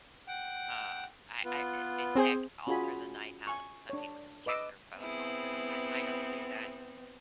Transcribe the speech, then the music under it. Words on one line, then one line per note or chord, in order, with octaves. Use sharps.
uh, I I, eh, and check all through the night, how some people just check their phone all through the night, I don't do that,
F#5 G5
B3 F4 B4
C4 G#4 C5
C#4 F4 F#4 G#4 G#5 B5
G#5 C#6
D4 C#5
B4 D#5 D6 E6
B3 C4 E4 G#4